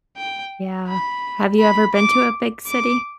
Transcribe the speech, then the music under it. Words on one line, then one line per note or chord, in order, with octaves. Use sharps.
Yeah. Have you ever been to a big city?
G5
B5
B5
D6
D6